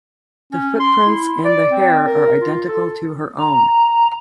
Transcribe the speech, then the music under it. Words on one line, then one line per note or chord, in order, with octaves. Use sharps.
The footprints and the hair are identical to her own.
C#4
C6
E4
D5
C4
A#4
F4
A4
A#5